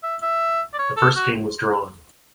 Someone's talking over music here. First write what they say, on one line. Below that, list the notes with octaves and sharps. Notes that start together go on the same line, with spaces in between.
The first game was drawn.
E5
E5
D5
C#5
A4
F#4